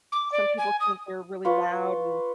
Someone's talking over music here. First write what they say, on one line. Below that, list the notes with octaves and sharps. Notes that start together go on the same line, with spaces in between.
some people think they're really loud and
D6
D5
G#5
D#6
F4 B4 C#5